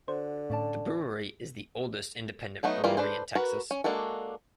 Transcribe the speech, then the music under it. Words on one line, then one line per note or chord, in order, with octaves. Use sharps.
The brewery is the oldest independent brewery in Texas.
D3 F#4 C5
A2 C#4 D5 A5
F#3 A3 B3 D#4
E3 G3 A#3 E4 F4
D4 A4 B4 C5
F#4 A#4 B4
C#4
G#3 A#3 D4 F#4 A4